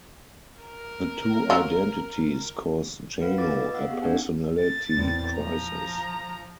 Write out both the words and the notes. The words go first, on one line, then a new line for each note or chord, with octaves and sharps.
The two identities cause Jano a personality crisis.
A#4
F#3 F4
B4 F5 F#5
D4 F4 A#4 B4 D6 A6
D#5
F5 F#5 E6
B3 G4 G#4
C#4 D#4 F#5 G#5
A6
E2 C4
F3 A#5